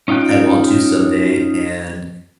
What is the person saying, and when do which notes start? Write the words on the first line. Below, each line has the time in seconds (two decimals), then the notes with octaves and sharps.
I want to someday, and
0.08 C#4 D#4 F4 G5 F#6